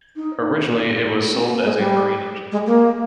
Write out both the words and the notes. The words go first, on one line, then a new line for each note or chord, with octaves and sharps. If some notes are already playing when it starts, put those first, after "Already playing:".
Originally, it was sold as a marine engine.
D#4
C4
A#3
G#3
G3
G#3
A#3